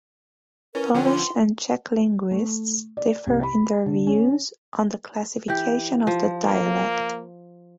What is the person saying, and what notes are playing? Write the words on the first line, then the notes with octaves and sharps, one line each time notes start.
Polish and Czech linguists differ in their views on the classification of the dialect.
C#4 E4 A#4 B4 C#6
D3 F3 C#4 C5 F#5 G5
F4 C6 D6
A3
D5
C2
B5
D3
C#4
E3 G4
F3
A#3